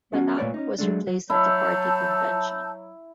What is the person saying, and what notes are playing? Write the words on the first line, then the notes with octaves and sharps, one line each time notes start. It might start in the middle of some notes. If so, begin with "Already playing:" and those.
Banac was replaced at the party convention.
B3 C#4 F#4 F#5
A#2 A3 B4 C#5 D5
C#4 D#4
F#3 G#3 A3 D4
F#3
F#3 E4 A5 E6 G6